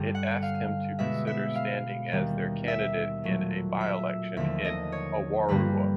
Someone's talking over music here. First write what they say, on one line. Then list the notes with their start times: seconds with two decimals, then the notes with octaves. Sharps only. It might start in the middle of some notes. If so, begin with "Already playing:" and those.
It asked him to consider standing as their candidate in a by-election in Awarua.
Already playing: G2 D3 G3
0.15 F#5
0.43 F5
0.99 B2 G#3 B3 E5
1.27 E5
1.55 F5
2.12 D#2 D#3 G3
2.68 E5
3.24 A#2 F#3 A3
3.81 E5
4.37 D#2 D3 F3 A3 E5
4.65 D#5
4.92 C#5
5.48 G2 D3 G3 A#3 B4